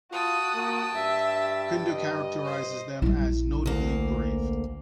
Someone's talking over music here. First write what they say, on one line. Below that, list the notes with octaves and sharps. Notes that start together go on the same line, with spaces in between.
Pindar characterizes them as notably brave.
F4 F#4 G5 A5 D#6
A#3
G2 E5
D#5
C5
A#1 G3 E4
D2 A#3